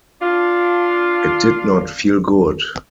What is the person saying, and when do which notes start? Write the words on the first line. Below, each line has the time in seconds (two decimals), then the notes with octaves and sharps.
It did not feel good.
0.21 D4 F4